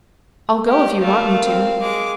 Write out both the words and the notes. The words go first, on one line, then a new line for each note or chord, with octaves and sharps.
"I'll go if you want me to."
G4
A3 A#4 F5
C4
G#3 D6